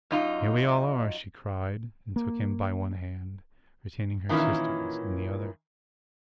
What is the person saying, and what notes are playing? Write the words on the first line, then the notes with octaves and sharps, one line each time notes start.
"Here we all are!" she cried, and took him by one hand, retaining her sister's in the other.
F#2 D#4 F4
A#3
A#2 D#3 E3 G#3 C#4 E4